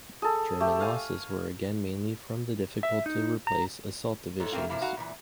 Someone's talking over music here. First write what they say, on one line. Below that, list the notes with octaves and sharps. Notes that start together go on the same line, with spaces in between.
German losses were again mainly from the difficult-to-replace assault divisions.
G#4 A4
A3 G4
F5 G#5
E5
D#4
A#5
G#2 A4 C#5
F#3 A3 A#3 C4 F4
C3 F3 A#3 E4 F5
D#4 F#4 F5
A#2 E3